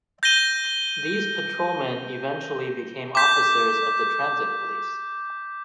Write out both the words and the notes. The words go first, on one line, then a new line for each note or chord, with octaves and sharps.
These patrolmen eventually became officers of the Transit Police.
G6 A#6 D#7 G7
D6 G6 B6